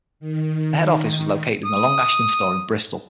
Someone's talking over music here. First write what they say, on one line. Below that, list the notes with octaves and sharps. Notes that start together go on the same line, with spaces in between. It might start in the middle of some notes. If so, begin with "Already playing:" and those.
The head office was located at the Long Ashton Store in Bristol.
D#3
D#6